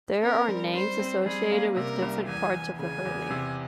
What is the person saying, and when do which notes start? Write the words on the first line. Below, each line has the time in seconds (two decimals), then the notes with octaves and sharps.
There are names associated with different parts of the hurley.
0.23 C4 A#4
0.48 G3
0.74 G3 C5
0.99 C4
1.25 G3 G#4
1.51 A#3
1.77 C3 A#4
2.02 C2
2.27 E2 G#5
2.54 E2
2.79 C#3 G#5
3.05 E2
3.30 C3